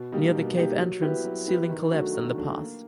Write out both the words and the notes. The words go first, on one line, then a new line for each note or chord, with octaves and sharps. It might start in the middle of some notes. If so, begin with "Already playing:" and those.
Near the cave entrance ceiling collapsed in the past.
Already playing: B2
G3 A#3 D#4 G4
B2
G3 A#3 D#4 G4
F#3
B3 E4 G4 B4
F#3
B3 E4 G4 B4
D#3
F#3 A3 D4 F#4
D#3
F#3 A3 D4 F#4
A#3